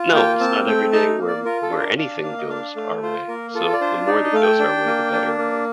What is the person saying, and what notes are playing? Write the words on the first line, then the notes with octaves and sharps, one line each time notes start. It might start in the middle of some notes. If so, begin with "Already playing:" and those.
No, it's not every day where where anything goes our way, so the more that goes our way, the better, right?
Already playing: F4
A#3 G5
C4 A5
A3 G5
D#4 A5
A#3
D5
F4 A#4
A4
D4
A#4
D4 F5
A#3 F5
D#5
D4 F5
A3 F5
F4 C5
A#3 A#4
F4 A4
D5
D4 C5
D#4 D5
D#5
A3 F5
G5
D4
A#3
D4
A#3